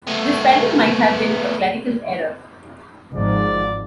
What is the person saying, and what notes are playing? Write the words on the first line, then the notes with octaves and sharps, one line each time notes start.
This spelling might have been a clerical error.
A3 B3
G#1 G#2 F3 D5